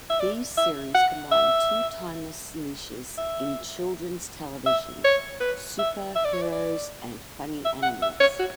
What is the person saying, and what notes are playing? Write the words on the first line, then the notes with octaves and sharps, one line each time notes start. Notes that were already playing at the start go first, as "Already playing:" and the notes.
These series combine two timeless niches in children's television: superheroes anfunny animals.
E5
D5
E5
F#5
E5
E5
E5
C#5
B4
E5
E5
D5
C#5
D5
D5
E5
F#5
E5
C#5
F#4